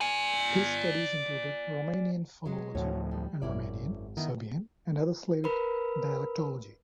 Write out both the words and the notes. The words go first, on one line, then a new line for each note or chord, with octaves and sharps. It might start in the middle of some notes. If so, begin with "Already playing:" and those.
His studies included Romanian phonology, and Romanian, Serbian, and other Slavic dialectology.
D5 G#5
F#3 G#3
D2 A2 F3 F#4 C#5
G3
G#1 F#2 E4 D5
D#3 B3 E4 D#5
A#4 B4 B5